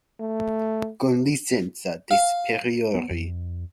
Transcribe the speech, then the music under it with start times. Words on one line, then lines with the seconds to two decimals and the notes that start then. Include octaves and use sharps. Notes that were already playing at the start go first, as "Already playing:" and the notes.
Con licenza de' Superiori.
0.20 A3
2.11 F5
2.95 B3
3.10 F2